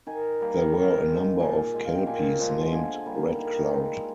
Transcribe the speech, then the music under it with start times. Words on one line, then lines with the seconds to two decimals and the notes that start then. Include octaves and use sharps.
There were a number of Kelpies named Red Cloud.
0.07 D#3 G#5
0.40 G3 A#3
0.73 D#3
1.06 G#3
1.39 A#2 G#5
1.73 G#3
1.85 F5
1.95 G5
2.06 A#2 G#5
2.39 F3 G#3
2.72 D3 G#5
3.06 G3 A#3
3.39 D#3
3.73 G#3